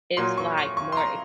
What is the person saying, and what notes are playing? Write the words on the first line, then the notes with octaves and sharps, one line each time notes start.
it's like more
A#2 F#3 C6
C#6
C#6
C#6
C6
A#5